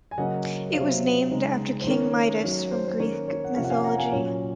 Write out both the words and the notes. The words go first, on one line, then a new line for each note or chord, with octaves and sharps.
It was named after King Midas from Greek mythology.
G#5
C#3 F#3 A#3 C#4 D#5 F#5
C3 F#3 C4 C#5 F5
C#3 G#3 D#4
C5
D#3 A#3 C#4 C#5
D#3 F#3 C#4 C#5
C5
C5
D#3 A#3 C#4 C#5
C#5
F#5
C3 F3 A#3 C#4 C#5 F5
F#5
F5 G#5
F#5 A#5
F5 G#5
A#2 F#3 C#4 C#5